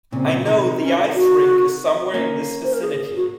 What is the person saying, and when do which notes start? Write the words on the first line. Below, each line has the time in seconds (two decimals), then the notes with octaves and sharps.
I know the ice rink is somewhere in this vicinity.
0.12 A#2 C#3 C4
0.47 C3 D#3
0.80 C#4
1.13 F#4
2.14 A#3 C#4
2.64 C5
2.73 A#4
2.82 G#4
2.99 G#4
3.16 F#4